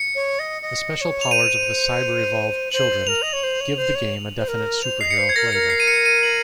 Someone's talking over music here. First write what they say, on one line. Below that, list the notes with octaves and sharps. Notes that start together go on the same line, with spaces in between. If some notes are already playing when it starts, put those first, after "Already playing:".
The special powers of the CyberEvolved children give the game a definite superhero flavor.
Already playing: C#7
C#5
D#5
D#5
D#5
C#5
F7
C5 D#7
C5 F#7
A#4 F7
D#5
C#5
C5
C#5
C5
C#5
C5
A#4
C5 F7
D#5 C7
C#7
C5 C7
G#6
A#4 A#6
A#4 C#7
C7
D#7
C#7
D#7
F#7